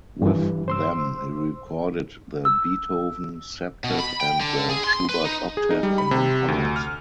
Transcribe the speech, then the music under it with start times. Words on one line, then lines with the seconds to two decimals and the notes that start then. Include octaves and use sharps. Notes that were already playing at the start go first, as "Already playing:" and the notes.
With them he recorded the "Beethoven Septet" and the "Schubert Octet" among others.
0.22 G2 E3
0.68 C5 C6 E6
2.45 E6
3.84 B2
3.99 B5
4.21 G5
4.40 D3
4.70 G#4
4.84 C6
5.10 B4
5.25 D#4
5.57 G#4
5.71 D#4
5.83 G3
5.98 B5
6.11 C3
6.48 D2
6.76 F6